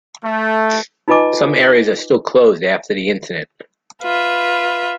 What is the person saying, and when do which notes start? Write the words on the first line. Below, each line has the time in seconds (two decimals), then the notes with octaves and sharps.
Some areas are still closed after the incident.
0.25 A3
1.08 D#4 F4 B4 D#5 G#5 D6
4.03 F4 B4 E5